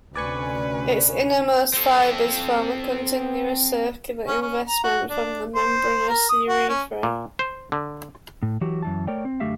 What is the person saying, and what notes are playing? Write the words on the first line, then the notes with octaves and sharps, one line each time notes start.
Its innermost fibers form a continuous circular investment for the membranous urethra.
D2 C3 C#4 B4 D5 G#5 C#6
C4 A4
C#4
C#4
A#5
F#4
D4
C5
A#4
D#6
F#4
C#4
A#2
C5
D3
A2
E3 F#3 F#4 G4
F#2 E3 A5
A3 A#4 C#5 D5 G5
C4
F#2 D3 A3 G4 E5 F5